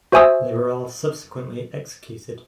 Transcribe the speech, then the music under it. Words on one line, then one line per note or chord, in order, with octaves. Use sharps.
They were all subsequently executed.
F#4 C5 E5 G#5 D#6 E6